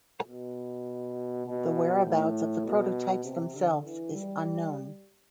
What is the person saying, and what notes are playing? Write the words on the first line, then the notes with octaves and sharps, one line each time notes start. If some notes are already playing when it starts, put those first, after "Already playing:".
The whereabouts of the prototypes themselves is unknown.
B2
B2
A2
B2
C3
D3
E3
G3